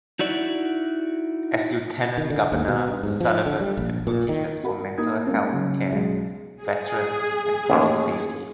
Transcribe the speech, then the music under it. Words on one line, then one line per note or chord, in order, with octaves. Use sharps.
As lieutenant governor, Sullivan advocated for mental health care, veterans and public safety.
D#4 E4 F#4 D5
D#3
D3
D#2
B2
G2
G#2
F3
D3
G3
A#1
A#2
D#3
F#4 A#4 F#5 B5
A#3 D#4 D#6 G#6
G#3 A#3 C#4
C#3 F#3
B1 G#3
G#4
A1 D#2